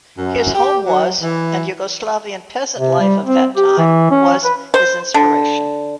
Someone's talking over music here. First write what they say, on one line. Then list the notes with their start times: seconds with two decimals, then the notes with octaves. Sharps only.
His home was and Yugoslavian peasant life of that time was his inspiration.
0.18 F#2
0.55 G4
0.86 F#3
1.22 E3
2.78 C3
3.00 G3
3.25 C4
3.57 G4
3.78 E3
4.11 C#4
4.45 B4
4.74 C5
5.14 D3